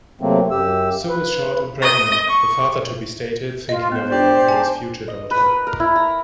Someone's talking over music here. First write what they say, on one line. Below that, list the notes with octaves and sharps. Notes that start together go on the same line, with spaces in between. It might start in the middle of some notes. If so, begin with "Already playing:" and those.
"Sue is short and pregnant", the father-to-be stated, thinking of a name for his future daughter.
C3 F#3 A3 A#3 C4
F#2 G4 E6
B4
D#5
C#6
F4 D#5
B3 C5
D4 F4 G4 D5
G#5 A5
D#5
B4
A#4
A#4
E4
A#5